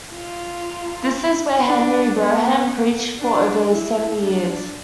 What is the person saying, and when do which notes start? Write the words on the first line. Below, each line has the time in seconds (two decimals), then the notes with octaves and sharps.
This is where Henry Boehm preached for over seventy years.
0.14 F4
1.67 D4
2.18 B3
3.20 D4
3.70 E4
4.21 D4